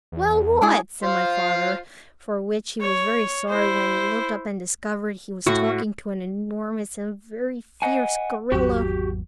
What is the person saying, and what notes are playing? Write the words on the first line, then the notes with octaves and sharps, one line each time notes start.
"Well what?" said my father, for which he was very sorry when he looked up and discovered he was talking to an enormous and very fierce gorilla.
E2
G#3 D4 E4 G#4
F4 C5 F5
C#5
E4 C5
A2 F#4
D#5 F#5 G#5
G#1 E2 F#3 F#4 G4